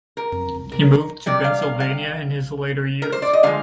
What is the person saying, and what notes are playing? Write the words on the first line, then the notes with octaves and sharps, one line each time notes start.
He moved to Pennsylvania in his later years.
A#4
A#4
C3 G3 D5
F5
F5
F5
A#4
C5
D5
D#5
D3 F3 G#3 F5